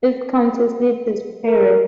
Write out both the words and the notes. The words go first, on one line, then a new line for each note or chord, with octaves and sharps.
Its county seat is Perry.
A#4